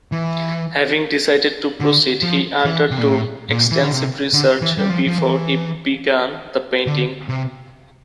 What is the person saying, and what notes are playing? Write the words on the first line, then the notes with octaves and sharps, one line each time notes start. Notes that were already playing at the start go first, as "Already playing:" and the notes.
Having decided to proceed, he undertook extensive research before he began the painting.
E3
D3
F3
E3
C3
A#2
A2
A#2
E3
D3
C3
D3
E3
G3
F3
F3
E3
D3
C3